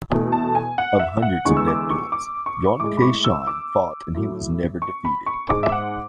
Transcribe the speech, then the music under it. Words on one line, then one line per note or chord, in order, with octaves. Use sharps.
Of hundreds of death duels Yuen Kay Shan fought in he was never defeated.
E2 B2 A3
A5
G#5
F#5
E5
F#5
E2 D3 G#3 C#6
E6
D6
C#6
D6
C#6
A2 G#3 D6
B5
C#6
E6
D6
A2 F#3 A3
C#6
B5
C#6
G#2 G#3 D6
E5
F#5